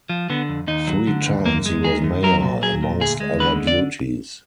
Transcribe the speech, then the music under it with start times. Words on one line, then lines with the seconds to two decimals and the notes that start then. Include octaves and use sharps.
Three times he was mayor, amongst other duties.
0.09 F3
0.30 D3 B3
0.49 F2
0.67 D#2 D#4
0.87 F#3
1.07 D3
1.26 D#2
1.46 F#2 A#3
1.66 G#3
1.84 D#3 G#4
2.04 F#2
2.23 F#3 A#4
2.42 A#2
2.62 F#3 G#4
2.82 A#2
3.01 D2 G#4
3.20 G#3
3.40 D3 B4
3.67 D5